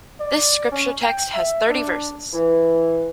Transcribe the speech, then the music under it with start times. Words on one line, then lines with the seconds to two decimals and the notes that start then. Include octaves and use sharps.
This scripture text has thirty Verses.
0.20 D5
0.72 C#4
1.02 G5
1.34 E5
1.69 D4
2.33 E3